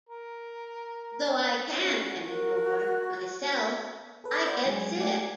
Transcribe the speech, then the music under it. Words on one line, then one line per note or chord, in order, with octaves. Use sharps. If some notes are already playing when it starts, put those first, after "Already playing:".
Though I can't anymore myself, I get sick!
A#4
G3 G#3 C#4 F#4
F#4 A#4
A4 B4
C5 D5 F#5 B5 D6 G6
F#3 G#3 G#5
A3 G4 D5 G#5